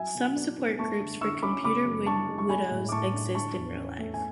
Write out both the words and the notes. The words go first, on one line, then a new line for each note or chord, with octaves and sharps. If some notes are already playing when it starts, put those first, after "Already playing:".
Some support groups for computer widows exist in real life.
Already playing: F#3 E5 G#5
B2
D4
B3
A3 A5 C#6
D3
D3 C#6 E6
C#4 B5 D6
C#3 B5 D6
F#2
D4 A5 C#6
G#3
C#6
G#3 G#5 B5
A2
D6
A2 A5 C#6
D4
D3 A5 C#6
E2
C#4
A3
G#5